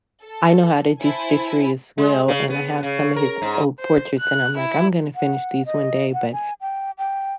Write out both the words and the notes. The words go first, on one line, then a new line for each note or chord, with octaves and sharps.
I know how to do stitchery as well, and I have some of his old portraits, and I'm like, "I'm gonna finish these one day," but
A4
E4 C5 G#5 A5
G#3
C#3
B3
C#3
A#4
G#2
C5
F#6
E4
F#5
D#5
F#5
G#5
G5
G5